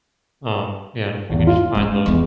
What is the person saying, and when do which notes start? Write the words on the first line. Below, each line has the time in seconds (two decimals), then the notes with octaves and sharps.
um, yeah, and if we can just find those,
1.29 G#1 E2
1.47 F4
1.75 G#3 C#4
2.06 E2 G#3